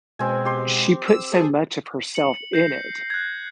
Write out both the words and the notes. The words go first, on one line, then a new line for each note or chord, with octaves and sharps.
She put so much of herself in it,
B2 G#3 C4 G#5
G4 C6
E6
G#4 A4 C5
C#7 F#7
G6 A#6 C7
F#6 G#6